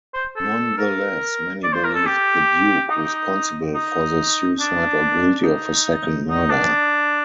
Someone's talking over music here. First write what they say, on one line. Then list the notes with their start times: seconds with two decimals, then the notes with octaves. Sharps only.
Nonetheless, many believed the Duke responsible for the suicide-or guilty of a second murder.
0.14 C5
0.36 A4
0.78 A#4
1.64 D5
1.73 C5
1.84 A#4
1.94 A4
2.06 G4
2.89 D#4
3.74 D#4
4.60 D4
5.44 D#4
6.30 D#4
6.50 D4